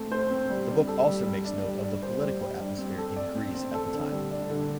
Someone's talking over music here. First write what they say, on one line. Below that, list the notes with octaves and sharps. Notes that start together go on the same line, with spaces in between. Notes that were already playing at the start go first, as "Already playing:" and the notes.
The book also makes note of the political atmosphere in Greece at the time.
Already playing: A3 C4 A4
C5
C4
G3
D4
A4
G3
G3
D4
G3
D4
C5
G3
G3
D4
C4
A4
D5
C4
C4
A4
D3
G3
D4
D3